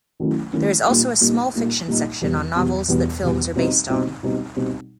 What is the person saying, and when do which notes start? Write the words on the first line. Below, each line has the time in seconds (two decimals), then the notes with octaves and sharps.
There is also a small fiction section on novels that films are based on.
0.20 D#3 F#3 A3 C#4 E4
0.53 D#3 F#3 A3 C#4 E4
0.86 A#2 G3 A#3 D#4
1.21 A#2 G3 A#3 D#4
1.54 A#2 G3 A#3 D#4
1.88 A#2 G3 A#3 D#4
2.21 E2 B2 G3 B3
2.55 E2 B2 G3 B3
2.88 E2 B2 G3 B3
3.22 E2 B2 G3 B3
3.55 B2 G3 C4 D#4
3.90 B2 G3 C4 D#4
4.23 B2 G3 C4 D#4
4.56 B2 G3 C4 D#4